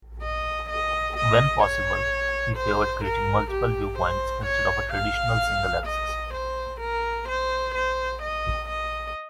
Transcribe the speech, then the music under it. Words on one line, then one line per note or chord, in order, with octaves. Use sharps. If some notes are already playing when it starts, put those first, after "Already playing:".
When possible, he favored creating multiple viewpoints, instead of a traditional single axis.
D#5
D#5
D#5
C#5
C5
A#4
G4
C5
C#5
F5
D#5
C5
A#4
C5
C5
D#5
D#5